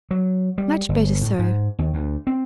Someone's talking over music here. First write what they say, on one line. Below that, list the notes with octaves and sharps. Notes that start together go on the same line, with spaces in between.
'Much better so.
F#3
G3
G1
A2
G#2
D#2
D2
C4